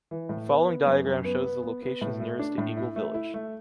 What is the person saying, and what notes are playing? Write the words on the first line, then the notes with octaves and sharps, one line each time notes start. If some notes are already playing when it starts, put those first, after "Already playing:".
The following diagram shows the localities nearest to Eagle Village.
E3
A2
B3
B3
F#2
F#2
B3
B3
B3
B3
A2
A3
D4
A2
E4
A3
E4
A3